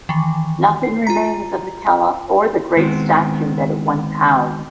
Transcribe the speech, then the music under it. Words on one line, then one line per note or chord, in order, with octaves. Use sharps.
Nothing remains of the cella or the great statue that it once housed.
D#3 E3
C7
F4 A#5
D#3 G#3 B3 C4